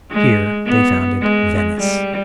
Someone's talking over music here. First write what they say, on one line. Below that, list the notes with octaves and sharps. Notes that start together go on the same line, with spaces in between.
Here they founded Venice.
G#3
B3
G#3
G3